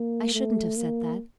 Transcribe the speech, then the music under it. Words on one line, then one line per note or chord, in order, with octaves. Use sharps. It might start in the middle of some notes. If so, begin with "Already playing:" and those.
I shouldn't have said that.
Already playing: A#3
A3
A#3